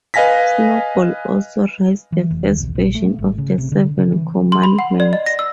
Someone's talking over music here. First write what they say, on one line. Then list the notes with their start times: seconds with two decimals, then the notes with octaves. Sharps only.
Snowball also writes the first version of the Seven Commandments.
0.14 B4 D#5 F5 G#5 A#6 B6
2.12 E3
2.30 F1
2.46 D#2
2.60 B1
2.75 A#1
2.95 A3
3.19 G#1
3.38 C#3
3.58 C3
3.72 D3
3.98 C#3
4.12 E3
4.52 C6
4.64 B5
4.79 F#5
5.00 D5
5.13 D#5
5.26 A#6
5.39 E6